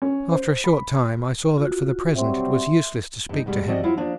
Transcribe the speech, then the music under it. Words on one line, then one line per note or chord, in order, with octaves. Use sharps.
After a short time I saw that for the present it was useless to speak to him.
C#4
C5
B5
F4 F#4
F#3 G3 C4 E5 C6
G2 D#4
G2 B2 G3 G#3
F3 C4 F#4 D5 D#5
F3 F#3 E4 F4
F3 A#3 D4